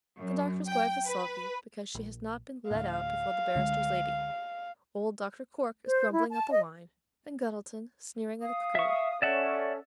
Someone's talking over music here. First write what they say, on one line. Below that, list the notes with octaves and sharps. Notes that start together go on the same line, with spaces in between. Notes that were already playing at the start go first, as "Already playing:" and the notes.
The Doctor's wife is sulky, because she has not been led out before the barrister's lady; old Doctor Cork is grumbling at the wine, and Guttleton sneering at the cookery.
F#2
G5
B4
A#1
D2 A2 F5
C#2 D3 G#3
C5
E4
A5
D#5
F5 D#6
E5 C#6
C#4 A4 C#5 D5 E5 F#5